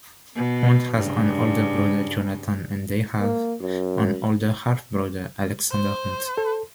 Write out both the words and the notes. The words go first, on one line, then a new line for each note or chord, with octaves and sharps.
Hunt has an older brother, Jonathan, and they have an older half-brother, Alexander Hunt.
B2
G2 C#3
A#3
F#2
C5
A4